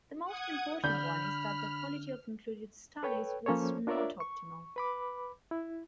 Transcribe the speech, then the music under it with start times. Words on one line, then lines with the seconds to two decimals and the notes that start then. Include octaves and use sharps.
The most important one is that the quality of included studies was not optimal.
0.24 F#5 D#6 G#6
0.84 D3 D4 B5 F6 G6
3.03 A4 B4 C#5 G5
3.46 F3 A#3 C#4 A4 C5 C#5
3.87 D4 F4 A#4 C#5 D5 E5
4.20 C#6
4.76 B4 B5 D6
5.51 E4